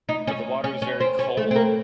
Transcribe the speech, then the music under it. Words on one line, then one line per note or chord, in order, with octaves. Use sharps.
but the water was very cold,
D#4
C#4
C#4
C#4
C4
C#4
A3
C4
A#3